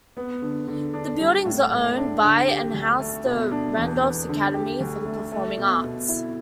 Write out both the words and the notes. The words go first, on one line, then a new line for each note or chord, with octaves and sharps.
The buildings are owned by and house the Randolph Academy for the Performing Arts.
B3
D3
D3
D4
G3
A2
A2
D4
D3
G4
D2
A3
B2
D4
E2
B3
D3
G4
D2
A3
A3
B2
B2
E4